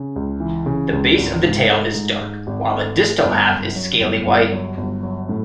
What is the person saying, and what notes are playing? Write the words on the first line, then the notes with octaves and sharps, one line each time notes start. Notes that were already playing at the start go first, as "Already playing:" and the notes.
The base of the tail is dark while the distal half is scaly white.
Already playing: C#3
C#2
E3
C#3
C#2
G#1
G#2
A3
G#2
G#2
G#1
A3
A3
G1
F#2
F#3
G1
G1
F#3
G1
F#3
A2